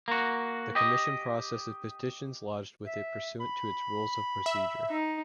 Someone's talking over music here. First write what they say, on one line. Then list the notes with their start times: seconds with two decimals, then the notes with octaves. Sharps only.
The Commission processes petitions lodged with it pursuant to its Rules of Procedure.
0.08 A#3 F#4
0.75 G4 D#5
2.86 E5
3.40 B5
4.46 E5
4.90 D#4